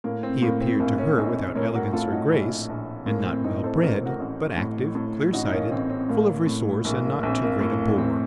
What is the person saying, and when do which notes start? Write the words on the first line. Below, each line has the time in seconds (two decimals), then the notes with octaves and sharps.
He appeared to her without elegance or grace, and not well bred, but active, clear-sighted, full of resource, and not too great a bore.
0.04 A2 A#3
0.23 C4
0.42 A2 A#3
0.61 C4
0.79 A#1 A#3
0.98 A#3 C#4
1.17 A#1 C4 D#4
1.56 A2 A#4 C#5
1.74 F#4 A#4
1.93 A2 F4 A4
2.12 D#4 F#4
2.32 A#1
2.70 A#1
3.06 A2 A#3
3.25 C4
3.44 A2 C4 D#4
3.63 A4 C5
3.82 A1 A#4
3.94 C5
4.06 F#4 A#4
4.20 A1
4.57 A2
4.95 A2
5.33 A1 D#4 F#4
5.46 D#4
5.53 A#3 C#4
5.72 A1 C4
5.90 C4
6.09 A2 A#3
6.47 A2
6.85 A#1 A#3
7.04 A#3
7.23 A#1 C4
7.42 A#3
7.60 A2 A#3
7.79 A#3
7.98 A2 C4